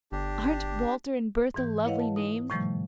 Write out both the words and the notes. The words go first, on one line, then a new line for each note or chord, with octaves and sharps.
Aren't Walter and Bertha lovely names?
G1 D4 G4
G#2 E3 G6
E4 B4 C#5 D#5 F5 F#5
A5
D#4
A2 C3 D#3 F3 G3 A3